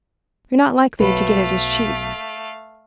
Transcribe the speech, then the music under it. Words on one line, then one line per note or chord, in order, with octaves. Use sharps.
You're not likely to get it as cheap.'
B1 F#3 A3 B4 F5